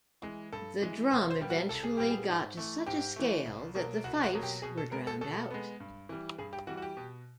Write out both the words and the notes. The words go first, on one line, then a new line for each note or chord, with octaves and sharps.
The drum eventually got to such a scale that the fifes were drowned out.
E3 G#3
G2 A4
E3 G#3
C2 C5
C5
A#2 G3 B3 G4
F#4
C2 A4
G#4
A#2 G3 B3 G4
G#4
G#2
E3 A3
G#2 G4
E3 A3
C2
B2 F#3 A#3
C2 F#4
F#4
B2 F#3 A#3
G4
B2 G#4
A4
G#3 B3 A#4
A4
B2 A4
G#3 B3
G2
E3 G3
G2 G#4
G4
E3 G3 F#4
F#4
G4
B2